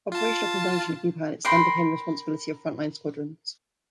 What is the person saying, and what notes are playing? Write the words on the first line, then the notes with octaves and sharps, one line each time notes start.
Operational conversion of new pilots then became the responsibility of front-line squadrons.
F4 A5
A#4 G5 B5 C6